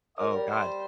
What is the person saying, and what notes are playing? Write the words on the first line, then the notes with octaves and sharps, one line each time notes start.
Oh, god.
F#3 A#4
G3
C5